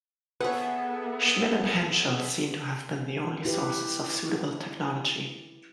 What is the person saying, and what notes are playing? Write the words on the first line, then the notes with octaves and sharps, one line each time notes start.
Schmidt and Henschel seem to have been the only sources of suitable technology.
B3 G#4 A4 B4 C#5 E5 F#5
E4 G4 B4